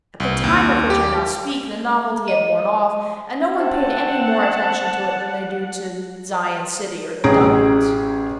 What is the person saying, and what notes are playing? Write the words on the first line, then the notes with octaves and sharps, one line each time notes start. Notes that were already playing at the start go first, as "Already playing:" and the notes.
At the time of which I now speak, the novelty had worn off, and no one paid any more attention to it than they do to Zion City or the Dunkards.
C2
D#2
G4
D#5
C4 F#5 A5
A1 C#4 G#4 A#5 D7